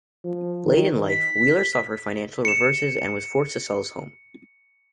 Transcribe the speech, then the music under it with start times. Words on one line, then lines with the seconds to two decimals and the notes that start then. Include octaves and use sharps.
Late in life, Wheeler suffered financial reverses and was forced to sell his home.
0.24 F3
0.65 D#3
1.09 B6
2.45 C#7 E7